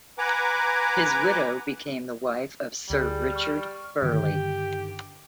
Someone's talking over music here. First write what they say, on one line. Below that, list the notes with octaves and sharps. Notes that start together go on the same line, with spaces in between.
His widow became the wife of Sir Richard Burley.
B4 F#5 G#5 A#5 D6
D2 G3 G#4
C#6 F6
G2 D3 D#3 G4